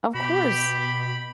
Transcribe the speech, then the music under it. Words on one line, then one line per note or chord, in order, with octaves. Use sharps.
Of course.
B2 G4 B5